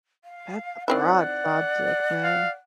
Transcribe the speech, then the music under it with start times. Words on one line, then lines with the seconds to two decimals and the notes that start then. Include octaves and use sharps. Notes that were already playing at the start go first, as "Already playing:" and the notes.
That's a broad subject, man.
0.24 F5
0.88 D#3 C4 E4 D5 F#5
2.23 F5